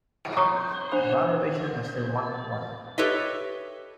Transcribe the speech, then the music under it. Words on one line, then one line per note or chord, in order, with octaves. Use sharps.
The valuation was still one-to-one.
C#5 A#5 C#6 D#6
D4 C5 B5
G4 A4 B4 C#5 D#5 E5